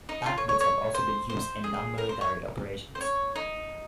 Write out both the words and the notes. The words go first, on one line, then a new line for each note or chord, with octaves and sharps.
PackBots have also been used in non military operations.
D#4
F4
C#5
C#5
C#5
C5
C5
G#4
A#4
C5
C#5
C5
C#5
D#4